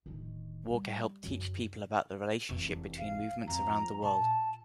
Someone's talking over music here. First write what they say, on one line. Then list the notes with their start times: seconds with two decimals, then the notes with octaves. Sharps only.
Walker helped teach people about the relationship between movements around the world.
0.06 D1 D#3
0.69 G3
1.24 F#2 C#3
2.49 F1 E2
2.98 F5
3.48 F2 F4 A#5
4.02 A#2 A5